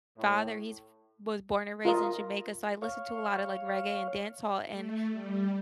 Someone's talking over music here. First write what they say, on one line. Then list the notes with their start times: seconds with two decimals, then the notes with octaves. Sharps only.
father, he's f was born and raised in Jamaica, so I listened to a lot of like reggae and dancehall, and
0.17 A2
1.85 F4 A#4 D#5
2.82 C#5 F5
4.71 A3
5.10 G3